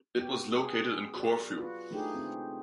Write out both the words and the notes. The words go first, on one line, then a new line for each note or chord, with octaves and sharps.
It was located in Corfu.
B3 F#4 G4
G#4
F#4 D5
F4 F#4 B4
A3 D4 D#4 G4 G#4
C4